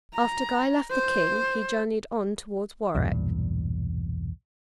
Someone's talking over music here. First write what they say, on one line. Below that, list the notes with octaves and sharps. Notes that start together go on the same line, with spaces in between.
After Guy left the King, he journeyed on towards Warwick.
A#5
C5
B1 E2 G2 A#2